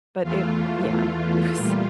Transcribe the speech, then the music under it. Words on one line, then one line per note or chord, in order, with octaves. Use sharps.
But it yeah. It was
E2 E3 A3 F4
A#2 G3